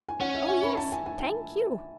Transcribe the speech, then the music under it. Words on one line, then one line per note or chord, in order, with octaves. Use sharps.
Oh yes--thank you.
G#5
C#4 F#5
E5
G#5
B5
A5
G#5
G#5
G#5